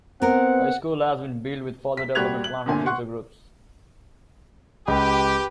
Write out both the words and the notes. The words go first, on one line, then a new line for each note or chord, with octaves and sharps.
A school has been built with further development planned for future groups.
B3 C4 A#4 F#5
B6
A#2 G3 F#4 F#6 G#6 F7
F#7
G1 C2 A#2 D3 G#5
F#5 C6 C#6 F#6
C#2 G4 B4